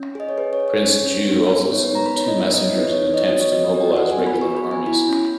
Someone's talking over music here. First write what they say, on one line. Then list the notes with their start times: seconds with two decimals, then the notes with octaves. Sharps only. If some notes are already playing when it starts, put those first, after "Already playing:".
Prince Ju also sent two messengers in attempts to mobilize regular armies.
Already playing: C#4
0.15 G#4 D#5
0.29 C#5
0.38 G#4 B4
0.53 C#5
0.60 G#4
0.68 C#5
0.82 C#4
1.05 C#4
1.28 B3
1.50 B3
1.72 D#4 C#5
1.83 B4
1.95 B3 A#5
2.06 B5
2.17 B3 C#5
2.28 D#5
2.40 D#4 E5
2.51 D#5
2.62 D#4 C#5
2.77 B4
2.85 D#4
2.92 C#5
3.07 B3 C#5
3.14 D#5
3.18 C#5
3.29 F#4 D#5
3.41 C#5
3.52 F#4 D#5
3.74 F#4 D#5
3.96 F#4 F#5
4.12 G#5
4.19 B3
4.27 B5
4.41 F#4 C#6
4.57 B5
4.64 B3
4.71 G#5
4.86 E4 B5
5.09 C#4